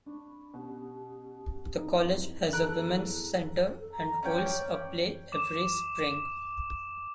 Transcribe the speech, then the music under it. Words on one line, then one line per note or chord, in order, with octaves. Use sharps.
The College has a Women's Center and holds a play every Spring.
D4 B5 C#6
B2 C#4 G4
C4 D#4 E4 A4
E2 A4 A#5 F#6 D7
A4
A#5
C#4 C#5 D5 G5
D6 E7